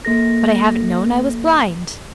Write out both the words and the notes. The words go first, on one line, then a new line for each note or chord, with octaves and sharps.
"But I haven't known I was blind!"
A#3 A4 A#6